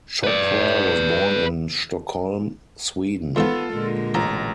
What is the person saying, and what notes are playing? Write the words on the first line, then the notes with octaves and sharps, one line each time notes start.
Chopra was born in Stockholm, Sweden.
B4 D5
E2 D#3 F3 B3 F4 A4
A#2 D3 G#3
A1 F3 A#5